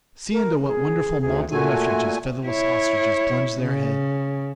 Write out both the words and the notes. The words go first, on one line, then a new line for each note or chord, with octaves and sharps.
See into what wonderful maudlin refuges, featherless ostriches plunge their heads!
A#4
G#4
D2 G#4
A#2 A3 F#4 G#5
E4 C#5
C#3